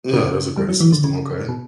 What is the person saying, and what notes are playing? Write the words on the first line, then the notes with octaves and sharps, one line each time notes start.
Yeah, that's a great system, okay.
C#3
G3
F#3
E3
D3
C#3
B2